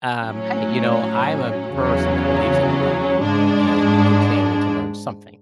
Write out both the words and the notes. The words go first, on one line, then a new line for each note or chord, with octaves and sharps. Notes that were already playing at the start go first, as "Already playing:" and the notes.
Um, hey, you know, I'm a person that believes in learning and continuing to learn something.
A2 F#3 C#4
E2 C#3 F#3 C#4
G#2 G#3 D4